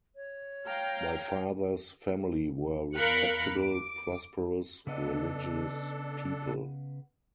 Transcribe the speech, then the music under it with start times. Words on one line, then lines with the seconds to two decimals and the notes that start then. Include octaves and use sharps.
My father's family were respectable, prosperous, religious people.
0.16 C#5
0.65 F5 G5 A#5
2.96 E2 A#4 F5 B5 F#6 C#7
3.56 D6
4.87 C#3 B3 D4 A4 D#5